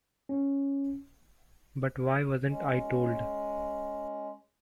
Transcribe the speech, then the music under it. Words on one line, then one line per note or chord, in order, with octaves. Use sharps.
But why wasn't I told?
C#4
G#3 C#4